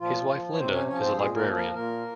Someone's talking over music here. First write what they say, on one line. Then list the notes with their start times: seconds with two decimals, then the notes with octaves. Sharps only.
His wife Lynda is a librarian.
0.01 A#2 F3 F4
0.30 F3
0.52 C#5
0.58 C3 C4 C5
0.73 C#4 C#5
0.87 F3 C#4 C#5
1.01 C4 C5
1.16 A#2 G#3 G#4
1.35 A#3 A#4
1.46 F3
1.55 A#3 A#4
1.74 A#2 A#3 A#4